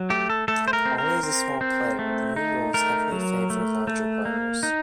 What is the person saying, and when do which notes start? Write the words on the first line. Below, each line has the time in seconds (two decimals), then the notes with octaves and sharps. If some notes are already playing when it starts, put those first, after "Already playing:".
Always a small player, the new rules heavily favored larger players.
Already playing: F#3
0.10 A3 G4
0.29 A4
0.48 A3 A4
0.68 C5
0.73 A#4
0.85 C4
0.98 A#4
1.23 C4
1.61 C4
1.99 A3
2.36 D#4
2.74 A3 A#4
3.12 F#3
3.50 A3
3.87 A3
4.25 A#3
4.63 D#4